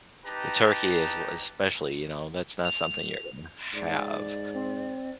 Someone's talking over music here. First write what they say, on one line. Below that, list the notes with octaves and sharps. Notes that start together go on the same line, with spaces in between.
the turkey is w especially, you know, that's not something you're gonna have
D#4 G4 B4 A5 A#5
F7
G#2 D5
C4